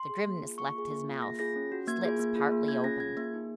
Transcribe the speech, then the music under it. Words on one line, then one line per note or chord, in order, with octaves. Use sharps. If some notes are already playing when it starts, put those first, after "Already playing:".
The grimness left his mouth, his lips partly opened.
Already playing: C6
G#4
A#3
F4 G#4
A#3 C#6
F4 G#4
A#3
F4 G#4
A#3 A#6
F4 G#4 A#6
C#4
F#4
A#3 G#6
F4 G#4
A#3
F4 G#4
A#3
F4 G#4 G#6
C#4 A#6
F4 G#4 G#6
A#3
D#4 G#4